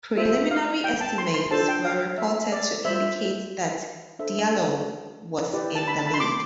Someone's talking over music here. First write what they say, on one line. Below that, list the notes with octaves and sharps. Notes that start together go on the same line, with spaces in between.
Preliminary estimates were reported to indicate that Diallo was in the lead.
F4 C5 E5
F5
G5
A5
C6
C6
D4 F4 A4 C5 A5
G5
F5
E5
D5
C5 E5
F4
D4 A4 C5 E5
E4 G4 B4 D5
A5
B5
A5
B5
C6
D6